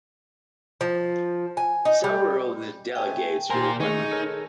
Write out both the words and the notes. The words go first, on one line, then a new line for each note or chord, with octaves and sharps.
Several of the delegates were women.
F3
G#5
D#4
G3
A3 G5 G#5
A#2 F4 A#4 C5 F5 G#5 A#5 C6
D#3 A3 D#4 G#4 G#5 C#6
A4 A#4 C#5